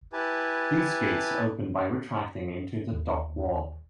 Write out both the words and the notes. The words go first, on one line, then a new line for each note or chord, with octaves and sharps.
These gates open by retracting into the dock wall.
E4 G4 B4 G#5 A5
D#2